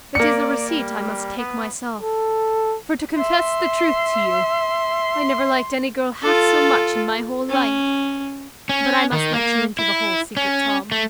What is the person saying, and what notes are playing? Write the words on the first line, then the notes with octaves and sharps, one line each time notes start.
It is a receipt I must take myself; for, to confess the truth to you--I never liked any girl half so much in my whole life; but I must let you into the whole secret, Tom.
A#3 D5 C#7
G3
B3
A4
E5 C6
F4 A4
C#4
C#4
D#3
A#3
E4
C#4
A3